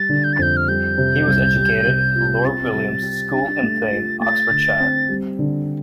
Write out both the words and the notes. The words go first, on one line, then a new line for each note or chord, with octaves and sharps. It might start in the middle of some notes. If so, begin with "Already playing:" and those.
He was educated at Lord Williams's School in Thame, Oxfordshire.
Already playing: G3 A6
D3
G6
A6
F2 G6
F6
G3 G6
C3
C2
G3
C3
F4
C4 A6
G3
G4
D4
A3
F4
A3 A6
D3
C4
G3
D3